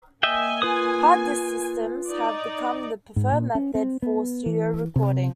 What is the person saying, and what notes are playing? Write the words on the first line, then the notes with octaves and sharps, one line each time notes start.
Hard disk systems have become the preferred method for studio recording.
A#3 D#5 E5 G5 G#5
F4 B4 D#6
D#4 D5
G#2
A#2
C#4
C4
B3
E3
C3